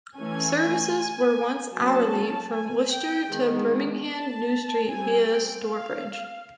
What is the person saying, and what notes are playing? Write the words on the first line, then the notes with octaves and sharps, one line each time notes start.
Services were once hourly from Worcester to Birmingham New Street via Stourbridge.
E3 A3 C#4 G#5
F#3 A#3 C#4 A5
G#5
G5
D#3 G#3 B3
A5
G3 C4 G#5
G5
F5